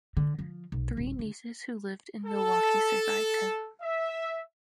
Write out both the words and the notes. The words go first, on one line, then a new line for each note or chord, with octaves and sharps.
Three nieces who lived in Milwaukee survived him.
D3
F3
B1
D#1
D3
A4
E5